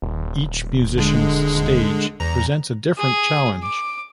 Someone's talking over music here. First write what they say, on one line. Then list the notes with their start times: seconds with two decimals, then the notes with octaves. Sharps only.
Each musician's stage presents a different challenge.
0.02 D#1
0.98 D3 G#3
2.20 E2 A#5
2.97 G#4
3.62 D6